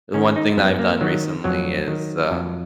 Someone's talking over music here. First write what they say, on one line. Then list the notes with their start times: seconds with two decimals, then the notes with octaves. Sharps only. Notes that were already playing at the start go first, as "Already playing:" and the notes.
The one thing that I've done recently is, um,
0.14 D#3 C#4
0.36 D#4
0.57 F#2 B3
0.79 A#3
1.01 D#3 F#3
1.44 F2 F#3
1.88 D#3
2.31 F2